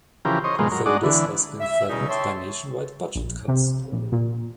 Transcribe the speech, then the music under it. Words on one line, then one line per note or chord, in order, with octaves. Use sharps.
Though this has been threatened by nationwide budget cuts.
C#3 E3 F3 G4 A#4
C5 C#5 D#5
G#2 B2 D#3 F3 G#3 A#3
F#3 A#4
G#3 D4 F#4 D5 D#5
D3 E3
E5
E2 B2 G3 C#4 D#4
C#5 E5 G5 A5 C6 C#6
A#1
C3
A#1
A#2